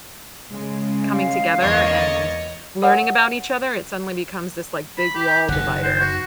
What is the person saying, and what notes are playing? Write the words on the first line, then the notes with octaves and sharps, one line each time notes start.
coming together and learning about each other, it suddenly becomes this like big wall divider.
C#3 G#3
F5
E2 A#3 C#5 D#5 A6
A#4 C#5 F#5 G#5
B5
G4
F#1 D#3 F#5
C5
F#4